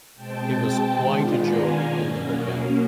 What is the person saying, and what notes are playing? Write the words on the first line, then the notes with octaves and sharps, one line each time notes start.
It was quite a joke in the hotel.
B2 G#3 C4 G5 A5
D#3 G#3 B3 D4 F4
G#5 A#5
B2 F#3 A#3 C#4